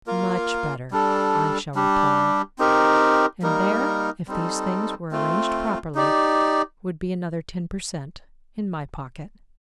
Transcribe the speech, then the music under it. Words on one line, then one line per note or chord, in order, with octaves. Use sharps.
"Much better," I shall reply--and there, if these things were arranged properly, would be another ten per cent, in my pocket.
A#3 F4 A#4 F5
G3 D4 A4
G3 D4 G4
C4 D#4 G4 A#4
G3 A#3 D#4 A#4
G3 C4 D#4 A4
A3 C4 F4
D#4 G4 D5